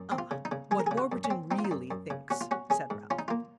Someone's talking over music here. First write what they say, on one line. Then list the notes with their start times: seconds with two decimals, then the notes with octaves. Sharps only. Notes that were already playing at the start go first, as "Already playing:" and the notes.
"Ah, what Warburton really thinks--!" said Ralph.
Already playing: F#2
0.12 C4
0.18 F4
0.31 C#3
0.45 D#4
0.51 C#3
0.71 G#3 G#4
0.79 A#4
0.86 G#4
0.91 C#3
0.98 F#4
1.12 F#2
1.24 C#4
1.30 C4
1.51 C4 D#4
1.59 F4
1.65 D#4
1.71 F#2
1.91 F#2
2.10 C#3
2.30 C#4 F#4
2.41 F4
2.51 C#4 F#4
2.70 C#4 G#4
2.90 G#2
3.10 C#4 F4
3.19 D#4
3.28 A#3 F4